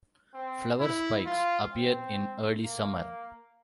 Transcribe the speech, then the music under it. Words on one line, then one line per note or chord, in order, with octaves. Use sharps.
Flower spikes appear in early summer.
C4
E4
F4
C4
A#3